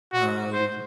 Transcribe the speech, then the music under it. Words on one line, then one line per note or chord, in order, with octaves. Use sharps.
Uh, you
F#4
C5